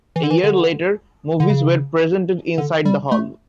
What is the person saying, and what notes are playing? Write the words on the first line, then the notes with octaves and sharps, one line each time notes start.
A year later, movies were presented inside the hall.
E3
D3
E3
D3
D3
C#3
D3
G3
A3